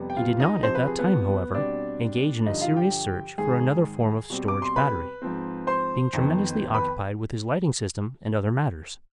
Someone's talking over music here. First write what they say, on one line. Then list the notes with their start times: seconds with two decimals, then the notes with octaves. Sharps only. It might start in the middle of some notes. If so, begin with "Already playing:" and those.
He did not at that time, however, engage in a serious search for another form of storage battery, being tremendously occupied with his lighting system and other matters.
Already playing: F2 C3 G3 B3
0.10 G5
0.17 F4 F5
0.40 D#4 D#5
0.63 C3 F3 C4 C5
0.75 B4
0.87 G#4
0.99 B3 B4
1.54 B2 G3 C4 D4 D5
2.46 G2 D3 F3 D#4 D#5
2.61 F4 F5
2.77 G4 G5
3.38 G#2 D#3 G#3 G#4 G#5
4.30 B2 G3 C4
4.48 D6
4.62 C6
4.76 B4 B5
5.22 G#2 F3 C4
5.67 C5 C6
6.13 F2 D#3 B3
6.74 B4 B5